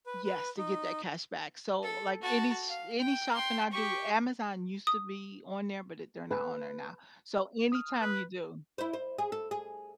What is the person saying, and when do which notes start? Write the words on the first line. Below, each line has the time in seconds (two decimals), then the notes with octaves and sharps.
Yes, to get that cash back, so like any s any shopping I do Amazon used to be on there, but it they're not on there now, so anytime you do
0.06 B4
0.25 B4
0.58 D#4
1.83 A4
2.22 F#4 A5
2.69 F5
2.99 G5
3.33 G5 C6
3.72 G4 C#6
4.87 D#6
6.31 B4
7.72 D#6 F6
8.01 B4
8.78 E4 C5
8.93 C5
9.18 G#4
9.32 A4
9.51 G#4